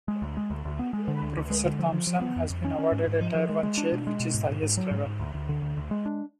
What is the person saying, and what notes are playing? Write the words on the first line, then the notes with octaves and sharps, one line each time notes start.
Professor Thompson has been awarded a Tier I chair, which is the highest level.
G#3
D2
G#3
D2
D2
B3
G#3
D3
D2
D2
G#3
D3
F3
F3
F3
B3
F2
F2
C#4
C#4
G#2
G#2
F3
F3
G#3
G#3
D4
B2
G#3
B2
G#2
G#2
G#2
F#3
G#2
G#2
D2
D2
D3
D2
D2
G#3
D4